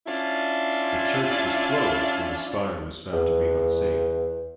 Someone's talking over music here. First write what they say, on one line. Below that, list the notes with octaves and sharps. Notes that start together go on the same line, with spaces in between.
The church was closed when the spire was found to be unsafe.
C#4 D4 E4 F4
E2